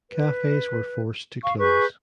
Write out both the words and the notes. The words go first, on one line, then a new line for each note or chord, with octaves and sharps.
Cafes were forced to close.
B4
F5 C#6
G#4 B4 C#6 G6